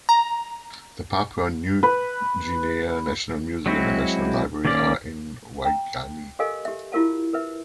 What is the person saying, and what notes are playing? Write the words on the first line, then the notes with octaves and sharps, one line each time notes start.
The Papua New Guinea National Museum and National Library are in Waigani.
A#5
B4
F#3 G#3 C4 E4 F#4
D#3 A#3 C#4 D5
G5 A#5
G4 A4 A#4 D#5 F5 G#5
G4 E5
E4 F4 G4 A#4 F5 A5
A#4 B4 E5